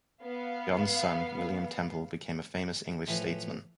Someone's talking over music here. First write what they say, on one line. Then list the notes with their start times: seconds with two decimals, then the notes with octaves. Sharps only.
John's son William Temple became a famous English statesman.
0.24 B3 F5
3.08 A2 E3 F3